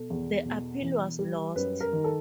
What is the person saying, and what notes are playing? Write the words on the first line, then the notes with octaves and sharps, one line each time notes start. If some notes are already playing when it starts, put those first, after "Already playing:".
The appeal was lost.
Already playing: B2 A4
E2
B2
E3
G3
F#2 B4
A#4
D#3
A4